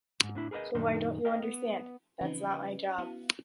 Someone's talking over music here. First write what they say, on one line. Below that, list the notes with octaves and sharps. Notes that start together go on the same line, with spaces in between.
So why don't you understand? That's not my job.
E2 G#2
A2 D4 E4
G#4 A#4 B4 D5 D#5
F#2 A#2 D#3 D4 D#4 C6
A#4 D#5 F5 G5
B3
C#3 E3 F3 C4 C#4 D#4 B4 D#5
B3 E4 F#4 F5